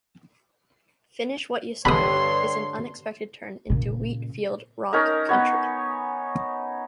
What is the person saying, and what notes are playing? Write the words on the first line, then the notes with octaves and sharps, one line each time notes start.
"Finish What Ya Started" is an unexpected turn into wheat-field-rock country.
G2 D3 C#5 B5 C6 D#6
A#2 C#3
C#4 D#4 A#4 A#5
B3 C#5